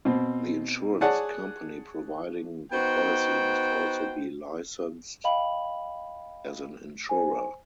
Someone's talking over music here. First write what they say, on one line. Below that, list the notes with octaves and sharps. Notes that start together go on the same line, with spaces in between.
The insurance company providing the policy must also be licensed as an insurer.
B2 C4
G#4 C#5 D5 F#5 G#5 A5
B3 D#4 F#4 C5 G5
D#5 F5 G5 B5 F#7
C5 G#5